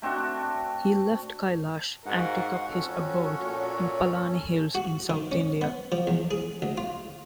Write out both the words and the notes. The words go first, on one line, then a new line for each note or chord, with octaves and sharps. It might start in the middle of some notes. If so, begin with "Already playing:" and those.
He left Kailash and took up his abode in Palani hills in South India.
A3 C4 D4 F#4
G#2 F#4 A#4 F5 F#5
F2 C#4 A4 C#5
A#2
F#4
D#3
C#4
B3
F3
E2
G#4
D2
F4